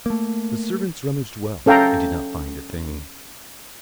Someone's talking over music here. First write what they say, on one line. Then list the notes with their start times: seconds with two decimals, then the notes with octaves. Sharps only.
The servants rummaged well, and did not find a thing.
0.06 A3 A#3
1.66 C#4 A4 F5 G5 A#5